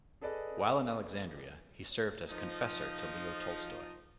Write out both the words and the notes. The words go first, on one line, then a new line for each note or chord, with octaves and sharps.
While in Alexandria, he served as confessor to Leo Tolstoy.
G#4 A4 B4 D5 D#5
F3 D#4